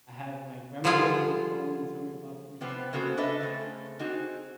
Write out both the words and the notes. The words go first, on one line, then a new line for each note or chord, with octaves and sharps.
I have my grandmother who will call me and tell me about the religion.
D3 F3 G3 G#3 F4 G#4
C3 F3 B3 C4
C#3 A#3 B3 F#4 A4 C5
D4 A4 B4 D#5 E5
C#3 G#3 A3 C4
C4 D#4 F#4 G#4